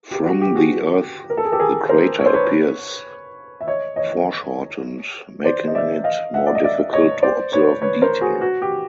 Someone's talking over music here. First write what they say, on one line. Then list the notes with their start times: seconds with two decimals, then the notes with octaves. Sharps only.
From the Earth the crater appears foreshortened, making it more difficult to observe detail.
0.11 G4
0.26 F#4
0.41 G4
0.55 F#4 G#4
1.30 A#4
1.37 A4
1.45 G#4
1.52 G4 A4
1.59 G#4 A#4
1.89 A#4 C5
2.19 C#5
2.26 C5
2.34 B4 C#5
3.61 E5
3.67 C#5 D#5
3.96 C#5 D#5
5.44 C5 D5
5.67 D#5
5.75 D5 E5
6.04 D#5 F5
6.34 E5 F#5
6.46 D5
6.55 D#5
6.64 D5 E5
6.93 C#5 D#5
7.22 C5 D5
7.52 B4 C#5
7.82 B4 C#5
8.02 A#4 C5
8.21 F#4 G#4
8.41 F#4
8.62 G4